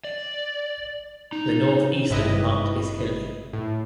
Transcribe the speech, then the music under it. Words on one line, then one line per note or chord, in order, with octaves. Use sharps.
The north-eastern part is hilly.
D5
D#4
G#1 G2 C3 E4 B4 D#5
A2